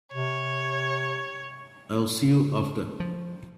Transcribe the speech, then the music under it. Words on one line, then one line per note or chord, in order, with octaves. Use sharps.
I'll see you after.
C3 C#5
F3